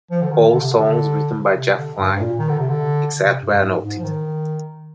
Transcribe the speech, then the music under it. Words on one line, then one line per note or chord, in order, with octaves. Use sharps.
All songs written by Jeff Lynne except where noted.
F3
D3
D#3
D3
C3
D3
C3
D3
G2
A#2
D#3
D3
C3
D3
C3
G2
G2
G#2
G#2
F3
D#3